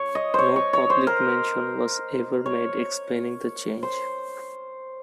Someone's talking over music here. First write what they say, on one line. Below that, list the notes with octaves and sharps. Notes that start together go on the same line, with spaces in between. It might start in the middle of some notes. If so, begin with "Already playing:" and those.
No public mention was ever made explaining the change.
Already playing: C#5
D#5
C5 C#5
C#5
C#5
C5
A#4
C#5
C5